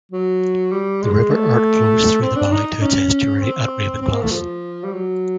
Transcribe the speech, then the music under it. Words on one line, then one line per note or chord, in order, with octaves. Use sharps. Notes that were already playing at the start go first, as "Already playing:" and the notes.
The River Irt flows through the valley to its estuary at Ravenglass.
F#3
G3
G#3
A3
C4
D4
D#4
C#4
C4
C4
A#3
A3
F3
G3
F#3